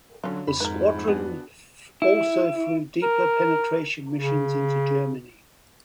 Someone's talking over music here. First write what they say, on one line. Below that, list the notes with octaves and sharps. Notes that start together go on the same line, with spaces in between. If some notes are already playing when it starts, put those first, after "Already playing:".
The squadron also flew deeper penetration missions into Germany.
D3 F#3 C#4 F4
F2 B5
G#2 A#4 B4
B3 D4 F#4 G#4
E4
A#4
C#3